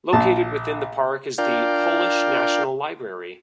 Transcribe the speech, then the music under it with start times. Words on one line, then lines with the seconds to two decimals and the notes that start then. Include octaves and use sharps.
Located within the park is the Polish National Library.
0.13 A#1 A5
1.38 D4 F4 A#4 D5 F5 G5